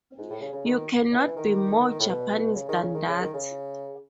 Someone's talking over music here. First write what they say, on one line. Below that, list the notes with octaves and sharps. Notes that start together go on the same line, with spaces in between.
You cannot be more Japanese than that.
G#2
A2
C#3
C#3
D#3
E3
D#3
A2
B2
C#3
D#3
C#3
D#3
C#3
D#3
C#3